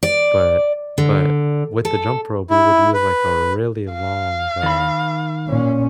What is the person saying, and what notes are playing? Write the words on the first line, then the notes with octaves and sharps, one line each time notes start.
but but with the jump rope, we would use, like, a really long, uh
D5
D3
A4
E4
B4
F5
D#3 B5
A#2 C#4